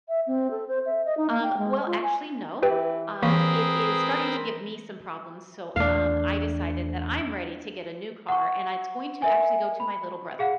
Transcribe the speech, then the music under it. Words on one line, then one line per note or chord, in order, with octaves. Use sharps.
Um, well, actually, no, um, it is starting to give me some problems, so, um, I decided that I'm ready to get a new car, and it's going to actually go to my little brother.
E5
C4
A4
C5
E5
D#5
D#4
A#3
G5
G#3
F4
G#5
E3 G4 B4 G5
E3 A#3 C4 G#4 A#4 B4
E2 A3 D4 F5
F#5 C#6
A#4 E5 G#5
B5
G#4 F5 F#5